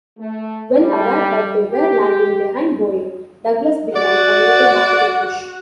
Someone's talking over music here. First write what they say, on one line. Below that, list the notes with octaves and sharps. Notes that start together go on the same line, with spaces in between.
Well aware that they were lagging behind Boeing, Douglas began a major marketing push.
A3
G3
G4
F#4 D5 F#5